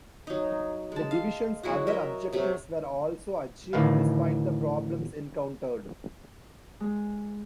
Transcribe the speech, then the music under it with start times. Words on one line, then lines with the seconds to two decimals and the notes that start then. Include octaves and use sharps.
The division's other objectives were also achieved despite the problems encountered.
0.27 F#3 D#4
0.92 G#3 A5
1.11 F5
1.63 F#3 G#3 E4 F#4
1.87 A#4 D#5 E5
2.33 C3 F#3 A3
3.73 A1 D2 A2 D#3 B4 F5
6.80 G#3